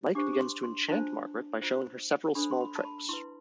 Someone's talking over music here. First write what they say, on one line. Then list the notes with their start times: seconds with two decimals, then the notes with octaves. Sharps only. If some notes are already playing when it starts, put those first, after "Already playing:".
Mike begins to enchant Margaret by showing her several small tricks.
0.15 D4 G4 C5 D6
0.33 D6
0.39 C6
0.63 C6
0.88 D4 F4 C5 A5
1.62 F4 C5
2.35 D4 A4 C5 B5
2.51 C6
2.61 B5
2.76 A5
2.85 B5
3.09 E4 B4 C6